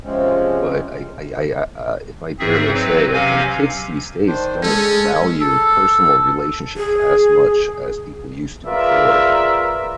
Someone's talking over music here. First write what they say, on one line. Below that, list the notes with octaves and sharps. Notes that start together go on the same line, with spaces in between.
But I I I, uh, if I dare may say, I think kids these days don't value personal relationships as much as people used to before.
C3 F3 G#3 C4 C#4
G#2 C4 G#4 E5
F#3 C4 B4
C3 F#3 C#4 F5 G#5
D#3 D4 C5
G#3 C#4 A4
A4
G#4
F4 G#4 A#4 B4 D5 E5